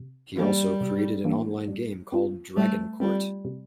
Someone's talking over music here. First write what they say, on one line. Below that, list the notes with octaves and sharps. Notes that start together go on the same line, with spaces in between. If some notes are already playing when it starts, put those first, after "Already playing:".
He also created an online game called Dragon Court.
Already playing: C3
E3 G3 A#3 D4
C3
E3 A#3 D4
G3
C4 F4
G3 A3
G3 C4 F4
C3